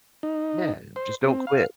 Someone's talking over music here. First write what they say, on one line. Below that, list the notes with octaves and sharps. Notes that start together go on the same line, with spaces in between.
Yeah. Just don't quit.
D#4
C5
C4
F5